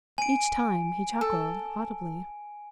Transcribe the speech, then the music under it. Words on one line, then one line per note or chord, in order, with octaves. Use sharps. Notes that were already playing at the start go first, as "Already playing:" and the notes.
Each time he chuckled audibly.
G#5 D7
A4